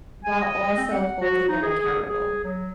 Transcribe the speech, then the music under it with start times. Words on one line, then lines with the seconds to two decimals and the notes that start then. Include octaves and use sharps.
while also holding them accountable.
0.24 G#5
0.41 D#5
0.77 C4
0.91 F#5
1.21 F#4
1.48 D#4
1.63 G#4
1.80 G#4
2.09 G#4
2.44 F#3